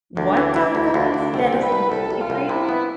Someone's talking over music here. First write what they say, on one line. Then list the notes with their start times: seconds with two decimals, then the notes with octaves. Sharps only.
what dot gov that is completely free?
0.17 D2 D4
0.37 E3
0.56 E3
0.75 D2 E4
0.94 D2
1.04 D4
1.14 D2
1.34 C2 C4
1.53 C2
1.62 B4
1.72 C2
1.91 C2 A4
2.10 C2
2.21 F4
2.30 C2
2.49 C3 E4
2.69 B3